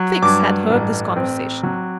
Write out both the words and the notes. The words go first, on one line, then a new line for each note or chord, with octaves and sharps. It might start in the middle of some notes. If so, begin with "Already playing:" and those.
Fix had heard this conversation.
Already playing: F#3
G2 D6
A1
C4
F#3